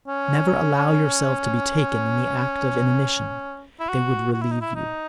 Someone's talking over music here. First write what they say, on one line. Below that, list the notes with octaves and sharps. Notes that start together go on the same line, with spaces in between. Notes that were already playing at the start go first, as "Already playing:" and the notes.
Never allow yourself to be taken in the act of inanition. They would relieve you.
C#4
E4
F#4
F#4
E4
D#4
E4
D#4